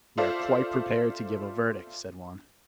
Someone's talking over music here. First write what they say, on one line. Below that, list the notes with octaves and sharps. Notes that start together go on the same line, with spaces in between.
"And we are quite prepared to give a verdict," said one.
F4 A4 C5 D5 E5 F5